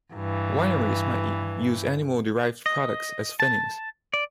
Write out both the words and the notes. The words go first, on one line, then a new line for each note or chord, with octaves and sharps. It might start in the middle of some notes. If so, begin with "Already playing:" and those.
Wineries might use animal-derived products as finings.
G2 E3
D#5
A5
D5